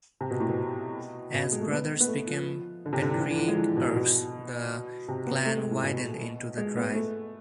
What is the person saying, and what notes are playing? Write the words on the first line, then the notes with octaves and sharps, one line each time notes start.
As brothers became patriarchs, the clan widened into the tribe.
C3
B2
A2
B2
B2
G#3
A3
B3
B3
A3
F3
D3
C3
D3
E3
D3
E3
F3
G#3
E3
B2
B2
C3
B3
A3
G#3
A2
B2
G#3
B3
A3